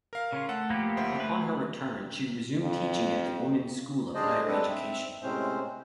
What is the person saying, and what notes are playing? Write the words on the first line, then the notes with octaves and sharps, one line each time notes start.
Upon her return, she resumed teaching at the women's school of higher education.
A#4 F5
C#3 C#4 F4
A3 A4 F#5
F3 A#3 B3 G4
G1 C5 E5 F#5
A3 B4
F2
G3 D4 G#4 C5 D5 D#5
G3 G#3 C4 D4 A4 B4
C4 E5
A2 C3 G#3 C4 C#4 C5